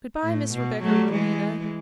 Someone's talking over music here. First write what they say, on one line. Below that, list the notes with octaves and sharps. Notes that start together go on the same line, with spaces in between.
Good-by Miss Rebecca Rowena!
A2
B2
F#3 A3
E3 G#3